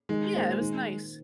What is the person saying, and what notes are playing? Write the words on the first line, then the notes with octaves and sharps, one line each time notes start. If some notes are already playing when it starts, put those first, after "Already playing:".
Yeah, it was nice.
D#3 G#3
A#3 F4 C5
D#3